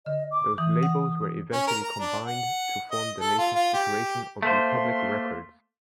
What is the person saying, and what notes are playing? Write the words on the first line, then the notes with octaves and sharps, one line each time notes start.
Those labels were eventually combined to form the latest iteration of Republic Records.
D3 D#5
D6
E3 D#6
F#5
C#4
A#4
A#5
D4
F#5
D#5
A4
F4
F4
G4
A3 A#3 C5 C6